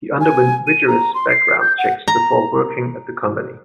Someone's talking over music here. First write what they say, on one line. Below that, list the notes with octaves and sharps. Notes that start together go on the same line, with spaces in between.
He underwent rigorous background checks before working at the company.
G#5
D#7
A#5
C6
C7
G6
F#5
A#5